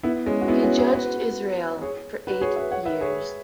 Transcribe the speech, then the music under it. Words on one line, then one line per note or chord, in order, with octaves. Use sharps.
He judged Israel for eight years.
B3 E4
G#3 C#4
F#4
B3 E4
C#4 F#4
E4 G#4
F#4 B4
G#4 C#5
F#4 B4
G#4 C#5
B4 E5
C#5 F#5
B4 E5
G#4 C#5